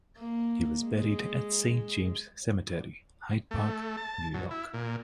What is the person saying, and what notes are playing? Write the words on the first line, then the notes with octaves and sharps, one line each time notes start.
He was buried at Saint James Cemetery, Hyde Park, New York.
A#3
G#3
A3
A5
F#2
E4
A#2